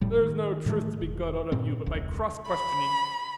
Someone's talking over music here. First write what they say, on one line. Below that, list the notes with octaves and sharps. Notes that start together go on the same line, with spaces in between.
There's no truth to be got out of you but by cross-questioning.
F1 A2 G3
D#3
A2 D#3 E3 A3
E1
G2 A#2 C4
E1 C#2
B5